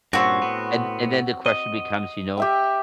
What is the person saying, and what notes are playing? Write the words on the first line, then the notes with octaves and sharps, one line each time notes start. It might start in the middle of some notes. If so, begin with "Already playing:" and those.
and and then the question becomes, you know,
G2 A#2 C4 C#4 F#4
A2 B3
D#5
G4 E5 G5